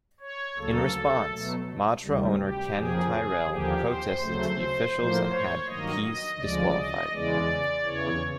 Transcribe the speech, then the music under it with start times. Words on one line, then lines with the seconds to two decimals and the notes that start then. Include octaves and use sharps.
In response, Matra owner Ken Tyrrell protested to the officials and had Pease disqualified.
0.20 C#5
0.57 D2 C#3 F#3 A#3 A4
1.30 B2 F#3 A3
2.03 D2 C3 D#3 G3
2.39 G4
2.75 F2 C#3 F3 A#3 G#4
3.11 G#4
3.48 D#2 D3 F3 A#3 G4
3.85 C5
4.21 D2 C#3 F#3 A3 C5
4.94 A2 F3 A#3 C5
5.30 C#5
5.66 G2 D#3 F#3 A#3 D#5
6.03 D#5
6.39 D2 C#3 F3 G#3 D5
6.75 D#5
7.12 E2 C#3 E3 G#3 D5
7.85 E2 C#3 E3 C#5